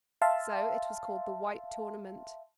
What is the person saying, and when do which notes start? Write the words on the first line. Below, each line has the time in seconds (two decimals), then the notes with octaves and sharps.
So it was called the White Tournament.
0.22 E5 F5 A5 C6